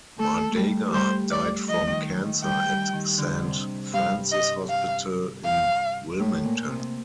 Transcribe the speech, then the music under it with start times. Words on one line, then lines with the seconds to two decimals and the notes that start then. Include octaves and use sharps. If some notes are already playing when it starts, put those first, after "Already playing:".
Mardaga died from cancer at Saint Francis Hospital in Wilmington.
0.19 A3 A4
0.52 G3 A3
0.94 G3 C5
1.31 D5
1.68 F3 D#5
1.87 D#3
2.25 D#3
2.43 G3 G5
2.68 G3
2.93 D#3
3.18 D3
3.44 C3
3.93 G2 F5
4.32 D#5
4.69 F5
5.44 F5
6.19 A2
6.44 A#2
6.68 C3